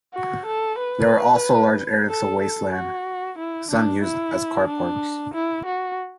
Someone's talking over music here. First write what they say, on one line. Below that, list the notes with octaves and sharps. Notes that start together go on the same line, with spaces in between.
There were also large areas of wasteland, some used as car parks.
F#4
A4
B4
A4
A4
F#4
E4
D4
E4
D4
E4
F#4